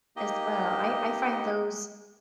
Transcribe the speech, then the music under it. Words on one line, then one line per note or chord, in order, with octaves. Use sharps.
As well, I I find those
A#3 D#4 G4 D#5